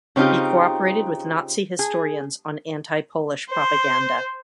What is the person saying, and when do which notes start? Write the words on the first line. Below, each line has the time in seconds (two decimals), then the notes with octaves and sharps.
He cooperated with Nazi historians on anti-Polish propaganda.
0.16 C#3 C4 D#4 F4 G4
1.79 G#4
3.51 C5